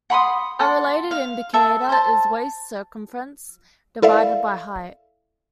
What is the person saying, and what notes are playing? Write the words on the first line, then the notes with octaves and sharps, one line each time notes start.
A related indicator is waist circumference divided by height.
F#5 B5 C6 D#6
A4 F#5 C6
F5
A4 E5
C5 A5
E4 A4 D5 E5 F5